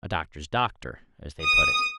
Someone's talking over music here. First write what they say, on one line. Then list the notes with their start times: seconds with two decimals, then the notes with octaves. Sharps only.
A doctor's doctor, as they put it.
1.44 D#6